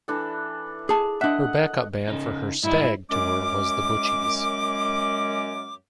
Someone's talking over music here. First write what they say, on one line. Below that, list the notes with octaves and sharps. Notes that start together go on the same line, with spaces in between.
Her backup band for her "Stag" tour was The Butchies.
E3 D4 A4
G#4 A5
D4 D#5 E5 F#5
C#3 D#4
G#2 G3 E4 D#5
F#2 G#3 C#4 D6